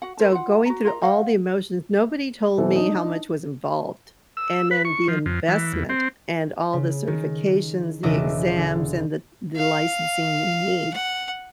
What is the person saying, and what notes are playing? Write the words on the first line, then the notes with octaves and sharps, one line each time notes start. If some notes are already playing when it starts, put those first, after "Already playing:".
So, going through all the emotions, nobody told me how much was involved, and then the investment, and all the certifications, the exams, and the the licensing you need,
F#4 F#5
A#4 C5 A5
F4 F#5
F#4 A#5
F4 A#4 D#5 A#5
C5 D#5 F5 F#5
B2 E3 C4 A4
D4 D#4
E6
B4
C#6
F3
F2
E3
E2
C4
C#3
D#3
E1 C#3 E3 D#5 E5 D6
D3
F5
F#5